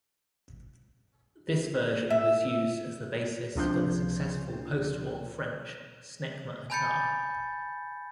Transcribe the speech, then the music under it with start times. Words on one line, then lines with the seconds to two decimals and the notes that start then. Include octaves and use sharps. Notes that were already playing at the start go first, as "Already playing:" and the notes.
This version was used as the basis for the successful post-war French Snecma Atar.
2.10 E5
3.55 C#2 C3 F3 D4 C6 G6
6.70 G#5 A5 B5 G6 A6 C#7